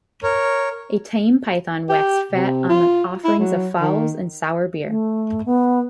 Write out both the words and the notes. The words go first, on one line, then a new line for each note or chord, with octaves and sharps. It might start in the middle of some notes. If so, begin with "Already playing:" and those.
A tame python waxed fat on the offerings of fowls and sour beer.
A#4 C#5
G4
C3
F4
E4
F#3
D#3
A3
B3